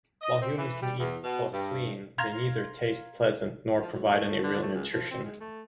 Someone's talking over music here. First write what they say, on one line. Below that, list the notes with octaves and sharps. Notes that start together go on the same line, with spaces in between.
While humans can eat Posleen, they neither taste pleasant nor provide any real nutrition.
D#5
C4
E3
G3
E2
B2
G2
F5 A#5 C6 G#6 A#6 F7
F3
F#3
A3
D3
A3
C#2
F3
C4
G#3
A3